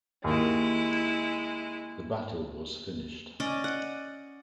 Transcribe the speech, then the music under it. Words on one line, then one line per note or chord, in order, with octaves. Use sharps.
The battle was finished.
D#2 G#3 E4
C#4 D5 D#5
F#5